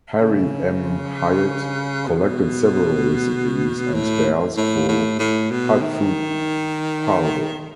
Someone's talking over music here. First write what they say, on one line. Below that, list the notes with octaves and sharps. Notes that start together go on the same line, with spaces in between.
Harry M. Hyatt collected several recipes and spells for hot foot powder.
C#3
B2
A2
A2
A2
A2
B2
D#3